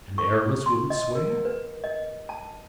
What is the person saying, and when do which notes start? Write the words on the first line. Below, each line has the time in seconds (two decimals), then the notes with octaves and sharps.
"And Aramis wouldn't swear?"
0.18 C#6
0.66 C6
0.90 D#5
1.15 A#4
1.45 B4
1.84 D#5
2.29 A5